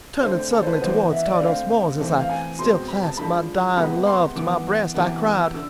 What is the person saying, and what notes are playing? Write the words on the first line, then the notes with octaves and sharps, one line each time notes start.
Turning suddenly toward Tardos Mors as I still clasped my dying love to my breast I cried.
D3 A3 C4 C5
A4
C5
B4
E3 B3 C5
E5
D5
D3 A3 C4 F5
E3 A3 C4
F5
G#5
B2 G#3 C4 C6
B5
A5
D3 F3 G#3 B5
C3 G#3 B3 B5
C6
E3 B3 D6
C3 E3 B3
E6
D3 E6